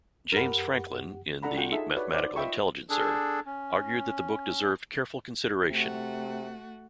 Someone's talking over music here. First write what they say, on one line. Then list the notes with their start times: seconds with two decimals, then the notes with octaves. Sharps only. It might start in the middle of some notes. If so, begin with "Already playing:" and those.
James Franklin in the "Mathematical Intelligencer" argued that the book deserved careful consideration.
0.32 F#2 G4 A#4 B4 F#5
1.43 D4 A4 F#5 A#5 B5
1.57 F4 F#4 A4 F#5 G5
1.71 D#4 G#4 A4 E5 C6
1.97 F#4 B4 C#5 D5
2.13 D#4 C5 D5 F#5
2.36 F4 D#5 E5 G5 B5 C#6
2.90 D4 G#4 A4
3.46 C#4
5.69 C3 A3 F#4